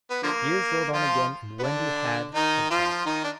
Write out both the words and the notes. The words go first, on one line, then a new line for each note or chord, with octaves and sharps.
Years rolled on again, and Wendy had a daughter.
B3
D3 F3 A#3
F3 F4
B3
D3 D4
D#3 D#4
F3 F4
D#3 D#4
D4